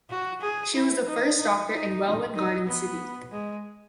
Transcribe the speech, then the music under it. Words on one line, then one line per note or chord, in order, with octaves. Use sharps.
She was the first doctor in Welwyn Garden City.
F#4
G#4
E4
D#4
D#4
D#4
D#4
B3
G#3